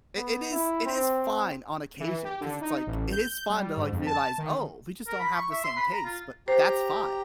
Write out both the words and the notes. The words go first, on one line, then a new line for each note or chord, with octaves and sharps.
i it is it is fine on occasion 'cause it's, like, it is fun to, like, realize, "Oh, we just don't have the same taste, but that's fine."
B3
E4
C4
E3
G4
D3
D#4
A1
G6
G3
G#2
F2
A5
D#3
A#4
B5
C#6
E5
C6
B5
A#5
F4
G4 C5 A#5